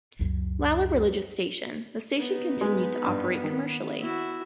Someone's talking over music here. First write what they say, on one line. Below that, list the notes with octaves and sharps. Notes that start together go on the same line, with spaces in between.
While a religious station, the station continued to operate commercially.
C#2 F#2
B3 D#4 B4
G#3
G2
D#3
E4 F#4